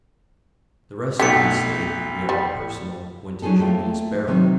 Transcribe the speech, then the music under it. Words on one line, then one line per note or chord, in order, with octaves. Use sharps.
The rest of the estate, real and personal, went to Julius Beryl.
B1 B2 A3 G4 B6 C#7
G3
F#3 C#4 D#4 F4 G#4 A4
A3 A#3 F4 G5
C3 D#3 F#3 C4